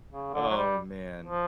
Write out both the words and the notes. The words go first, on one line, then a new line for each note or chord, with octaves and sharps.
Oh man.
C#3
D3
F#3
G3
F3